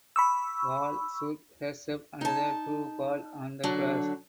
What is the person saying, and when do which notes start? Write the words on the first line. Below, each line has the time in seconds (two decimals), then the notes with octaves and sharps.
Val shoots herself and the two fall on the grass.
0.16 B5 C#6 E6
2.21 D#4 A5
3.63 D3 F#3 D4